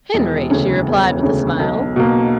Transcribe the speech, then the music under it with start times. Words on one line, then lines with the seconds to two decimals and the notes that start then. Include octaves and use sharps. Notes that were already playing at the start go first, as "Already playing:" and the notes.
"Henry!" she replied with a smile.
0.14 E1
0.50 D2 C#3
0.87 E1
1.23 D2 C#3
1.59 B1
1.96 B2 A#3